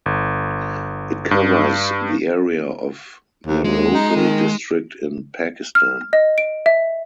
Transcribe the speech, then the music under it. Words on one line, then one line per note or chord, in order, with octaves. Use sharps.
It covers the area of Narowal District in Pakistan.
G1
G2
D#2
D#2 G#3
D#4
D#3
F6
D#5
D7
E5